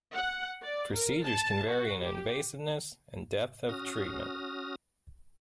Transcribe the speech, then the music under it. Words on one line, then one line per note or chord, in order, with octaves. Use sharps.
Procedures can vary in invasiveness and depth of treatment.
F#5
D5
A#4
A5
F#4
G4
C#4 F#4 D#6 F6 A#6